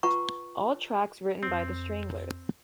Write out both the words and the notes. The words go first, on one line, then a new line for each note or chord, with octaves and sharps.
All tracks written by the Stranglers.
F4 B4 F#5 A#5 C#6
F2 C4